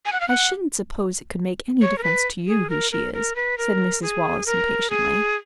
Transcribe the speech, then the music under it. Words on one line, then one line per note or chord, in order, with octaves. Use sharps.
"I shouldn't suppose it could make any difference to you who she is," said Mrs. Wallace impatiently.
G#5
F#5
F5
F#5
C#5
A#4
B4
G#4
A#4
A#4
A#4
B4
A#4
G#4
A#4
G#4